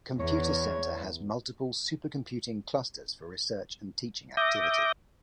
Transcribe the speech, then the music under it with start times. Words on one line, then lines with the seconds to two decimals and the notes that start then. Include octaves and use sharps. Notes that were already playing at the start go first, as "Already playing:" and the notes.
Computer centre has multiple super computing clusters for research and teaching activity.
0.20 E2 C#5
4.37 E5 D6 D#6 G6 A#6